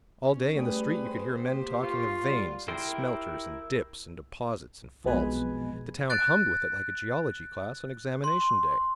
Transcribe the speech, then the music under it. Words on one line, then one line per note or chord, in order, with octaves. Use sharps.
All day in the street you could hear men talking of veins, and smelters and dips and deposits and faults,--the town hummed with it like a geology class on examination day.
C#4
F#2 G3 A3 G#4 B4 G5 D#6
C5
A#3 G4
F4 C#6
G3 F#5
E4 G4 A#4 G5 C6
B1 F2 B2 G#3 B4 G#5
F#6 A6 D7
C6